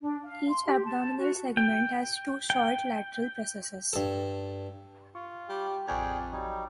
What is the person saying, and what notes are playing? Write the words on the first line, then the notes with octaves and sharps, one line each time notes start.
Each abdominal segment has two short lateral processes.
D4
F5
C6
G4
A5
F#4
G5
G5
G2 A4
F4 C#6
G3 G4
A1 F2 G#4 D5 G5 G#5 C#6 G#6
F#3 G3 D#4